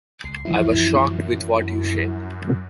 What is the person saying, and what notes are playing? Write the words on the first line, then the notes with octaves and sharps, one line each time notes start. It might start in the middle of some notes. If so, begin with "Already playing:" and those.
I was shocked with what you said.
C#2 C7
F#2 E3 F3 E4